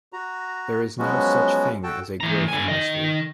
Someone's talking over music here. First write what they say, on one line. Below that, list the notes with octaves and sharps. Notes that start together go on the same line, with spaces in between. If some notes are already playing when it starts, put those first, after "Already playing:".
There is no such a thing as a growth industry.
F#4 A#5
F3 F#3 G#3 B3 C#4 F#4
F#4 A4 G5 A5
E3 A#5
D3 G#5
D#3 D#5